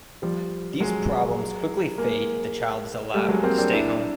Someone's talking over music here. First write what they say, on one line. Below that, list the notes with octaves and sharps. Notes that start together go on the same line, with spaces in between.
These problems quickly fade if the child is allowed to stay home.
F3 G3
F#3 G#3
G#3 A#3
G3 A3
F#3 G#3
A#3 C4
C4 D4
D4 E4